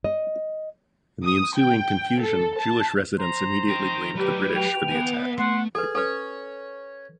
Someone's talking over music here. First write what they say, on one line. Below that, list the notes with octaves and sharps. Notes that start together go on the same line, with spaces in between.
In the ensuing confusion, Jewish residents immediately blamed the British for the attack.
D#5
D#6
G5
A4
A5
C5 A#5
D#4 G5
F#3 G4 B4 D5
G5 F7
B3 E5 G#5
A3 F#5 C6
G#4 A4 B4
C#4 A4 B4 C#5